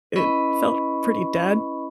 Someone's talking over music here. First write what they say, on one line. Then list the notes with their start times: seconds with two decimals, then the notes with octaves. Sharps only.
it felt pretty dead.
0.16 C#4 E4 B4 D#5 B5 C#6